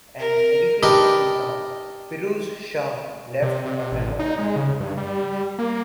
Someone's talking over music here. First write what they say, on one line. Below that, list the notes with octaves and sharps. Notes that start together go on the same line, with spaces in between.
An educated sultan, Firuz Shah left a memoir.
A#4
D4 D#4 G4 A#4 B4 D#5
C3
C3
A1
D#4
G#3
C#3
G2
G3
A#3